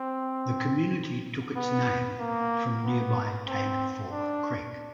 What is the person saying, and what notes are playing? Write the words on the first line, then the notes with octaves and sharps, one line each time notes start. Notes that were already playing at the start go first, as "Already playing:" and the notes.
The community took its name from nearby Tague Fork creek.
Already playing: C4
B3
A#3
B3
C4
D4